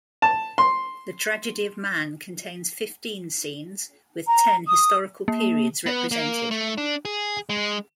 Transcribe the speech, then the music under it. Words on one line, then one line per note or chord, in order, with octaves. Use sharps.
The Tragedy of Man contains fifteen scenes, with ten historical periods represented.
A5
C6
A#5
D#6
A#3
B3
A#3
A3
D4
G#4
G#3